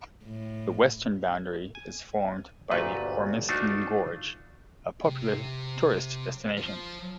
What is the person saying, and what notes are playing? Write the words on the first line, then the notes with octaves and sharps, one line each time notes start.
The western boundary is formed by the Ormiston Gorge, a popular tourist destination.
A2
G#5
G1 D2 A#2 A3 B4
A3 D4 D#4 F4 F#4
C3
F3